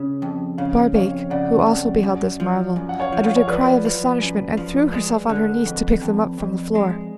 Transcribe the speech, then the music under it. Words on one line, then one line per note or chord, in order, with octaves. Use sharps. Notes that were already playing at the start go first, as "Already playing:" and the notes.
Barbaik, who also beheld this marvel, uttered a cry of astonishment, and threw herself on her knees to pick them up from the floor.
Already playing: C#3
F2
C#3 C#5 F5
F2 C#5 F5
C#3 D5 F#5
F2
F#2
F3
F#2
F#5
C#5 F5
F3
C#5 F5
C#5
F3 B4 D5
F3
F#2
F3
G#3
D3
F2
F2
F2
G#3